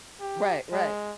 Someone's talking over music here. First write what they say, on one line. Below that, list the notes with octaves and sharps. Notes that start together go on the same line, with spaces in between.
Right, right.
G4
G#3